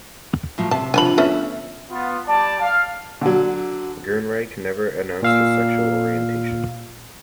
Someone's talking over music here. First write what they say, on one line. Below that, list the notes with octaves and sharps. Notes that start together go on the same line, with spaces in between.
Gernreich never announced his sexual orientation.
A2 F3 F#3
C3 A5
D3 F3 G#5 A5 B5 F#7
A3 B3 C#4 E5
B3 F4
G3 D5 A5
F5
D3 F#3
A#2 F5 E6